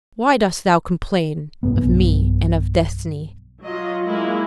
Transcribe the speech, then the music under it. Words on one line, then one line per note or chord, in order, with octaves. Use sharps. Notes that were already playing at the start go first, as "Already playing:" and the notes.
Why dost thou complain of me and of destiny?
B1 G2 B3
F#3 F4 D#5
G#3 A#3 E4